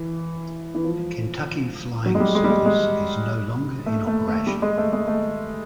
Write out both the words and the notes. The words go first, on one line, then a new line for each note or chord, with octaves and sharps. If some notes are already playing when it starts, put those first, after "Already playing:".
Kentucky Flying Service is no longer in operation.
Already playing: E3
E3
F3
F#3
G#3
G3
G#3
G3
G#3
G#3
A3
A3
A3
G3
G#3
A3
G#3
A3